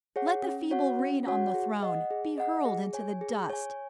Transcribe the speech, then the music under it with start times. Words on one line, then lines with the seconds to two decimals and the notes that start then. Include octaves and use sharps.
Let the feeble reed on the throne be hurled into the dust!
0.16 G#4 C#5 F#5
0.43 C#4
0.71 F#4 C#5 F#5
0.99 C#4
1.27 F#4 C#5 F#5
1.54 G#4
1.83 D#5 F#5
2.11 G#4
2.38 D#5 F#5
2.65 G#4
2.93 C#5 G#5
3.21 G#4
3.50 C#5 G#5